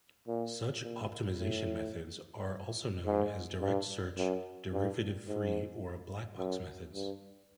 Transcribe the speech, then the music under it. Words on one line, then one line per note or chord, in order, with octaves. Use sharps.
Such optimization methods are also known as direct-search, derivative-free, or black-box methods.
A#2
A#2
A2
G#2
G2
F#2
G2
G#2
F#2
G2